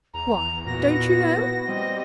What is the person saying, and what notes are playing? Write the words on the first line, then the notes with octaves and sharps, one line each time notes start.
'Why don't you know?
E2 A#5
A#2 B3 E4 F#4 A#6
G3 C4 D#5